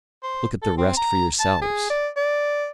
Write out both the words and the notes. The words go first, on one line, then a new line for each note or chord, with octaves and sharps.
Look at the rest for yourselves.
C5
A4
C4
A#5
A5
G#4
D5
D5